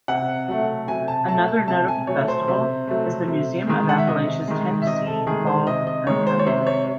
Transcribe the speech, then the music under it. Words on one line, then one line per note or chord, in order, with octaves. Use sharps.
Another notable festival is The Museum of Appalachia's Tennessee Fall Homecoming.
C3 F#5
F#3 A3
C3 G#5
A5
F#3 A3 A5
A5
C3 A5
G#5
F#3 A3 C#5
C5
C3
F#3 A3
C3
D#3 G#3
F#5
E5
C3 D#5
D#3 G#3
E5
C3 D#5
A4
D#3 G#3 G#4
C5
C3 D#5
D#5
D#3 G#3 C#5
C5
C#5
C3 C5
C#5